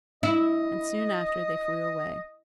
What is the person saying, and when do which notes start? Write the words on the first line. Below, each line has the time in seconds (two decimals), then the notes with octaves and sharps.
And soon after they flew away.
0.23 E4 D#5